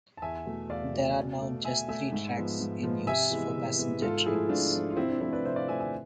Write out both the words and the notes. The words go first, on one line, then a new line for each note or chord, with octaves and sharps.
There are now just three tracks in use for passenger trains.
A5
E2 E5 G#5
B2 A3
E2 D5 F5
B2 A3
B2
A3
B2 E5 G#5
A3 E5 G#5
G#2
F3 G#3 B3
G#2
F3 G#3 B3
C3 E5 G#5
E3 G#3 B3
C3
E3 G#3 B3
G#2 F4 A4
F3 A3 E4 G#4
G#2 D4 F4
F3 A3
F4
C3 C4 E4
D4
F3 A3 C4 E4
B4 D5
C3 C5 E5
D5 F5
F3 A3 E5 G#5
E5 G#5